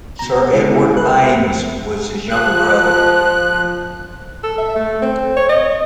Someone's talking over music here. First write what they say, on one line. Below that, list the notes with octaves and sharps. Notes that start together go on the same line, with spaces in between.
Sir Edward Baines was his younger brother.
B2 A#5
C#3 G#3 E4
A#4 B4 F#6
F2
F3 F#6
A4
E5
A3
C4
C#5
D#5